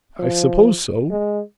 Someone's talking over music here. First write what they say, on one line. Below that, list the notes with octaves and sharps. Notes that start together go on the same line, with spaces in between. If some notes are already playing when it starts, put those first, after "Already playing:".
I suppose so.
F3
G#3